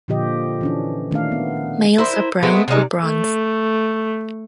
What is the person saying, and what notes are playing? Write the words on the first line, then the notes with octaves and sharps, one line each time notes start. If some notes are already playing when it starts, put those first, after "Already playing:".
Males are brown or bronze.
A#2 D3 F3 G4 D#5
E3 C#4 D4
D#3 A3 D4 F5
B3
E4 A#4 C5
G#3 A3 B3 C4
C3 G3 G#3 D#4
A3